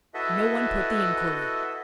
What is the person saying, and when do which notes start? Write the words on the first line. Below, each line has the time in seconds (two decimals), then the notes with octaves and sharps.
No one put the inquiry.
0.14 E4 F#4 A4 B4 D#5 E5